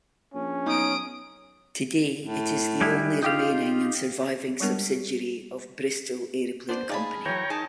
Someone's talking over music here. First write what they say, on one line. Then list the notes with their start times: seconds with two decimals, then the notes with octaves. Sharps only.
Today it is the only remaining and surviving subsidiary of Bristol Aeroplane Company.
0.34 A#1 C#4
0.67 B1 D#4 D#6 D7
2.24 A2
2.81 G3 G#3 E4
3.23 D#4 F4 G4 F5
4.60 G3 G#3 B3 D4 A#4
6.69 B3 D4 C5 D5
6.89 D#4 G#4 D5 F5 A5 B5
7.26 E3 F#3 C#5 G5 A#5
7.50 D#4 G#4 A#4 G#5 A5 C#6